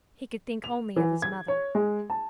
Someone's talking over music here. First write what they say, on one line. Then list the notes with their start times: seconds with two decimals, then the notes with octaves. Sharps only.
He could think only of his mother.
0.64 F7
0.96 E3
1.22 G#6
1.48 C#5
1.75 G#3
2.10 A5